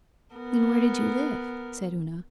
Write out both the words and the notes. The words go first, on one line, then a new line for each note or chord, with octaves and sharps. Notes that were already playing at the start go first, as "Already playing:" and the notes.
'Then where did you live?' said Una.
B3 A#4